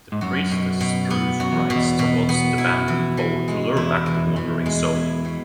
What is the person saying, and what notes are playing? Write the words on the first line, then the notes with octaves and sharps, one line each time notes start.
The priestess strews rice towards the bamboo pole to lure back the wandering soul.
G#2
F#2 F#4
B2
B2
B3
F#2 F#4
E2
B2
E2
B2
B3
E4
E3
E3
G#3
E2 E4
E3
E3
G#3
E4
B2